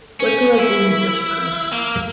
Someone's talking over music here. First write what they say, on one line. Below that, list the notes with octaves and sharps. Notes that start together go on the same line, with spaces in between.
What do I do in such a crisis?
C#4
E4
A#3